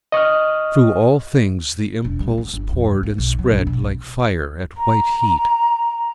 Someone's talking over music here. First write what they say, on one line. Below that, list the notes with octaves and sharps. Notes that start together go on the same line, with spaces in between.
Through all things the impulse poured and spread, like fire at white heat.
D#5 C#6 D#6 F6
E1
G3
B3
G1
F2
C3
A#3
B1
F#3
A#1
B2
C2
A#5